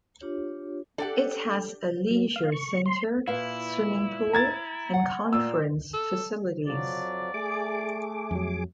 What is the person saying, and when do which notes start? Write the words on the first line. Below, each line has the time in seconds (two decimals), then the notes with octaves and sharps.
It has a leisure centre, swimming pool and conference facilities.
0.21 D4 F4 G4 C#5
0.98 D4 G4 A4 D5 F#5
2.11 F#3
2.36 F5
2.52 C#6
2.86 C6
3.27 A#2 E4 B4 F5
4.33 A#5 G#6 A6
4.94 F#5
5.33 A#2 F4 D5 E6
5.94 A4
6.67 F2 F3 F#3 D5
7.34 A3 G#4 D6
8.31 F2 F#3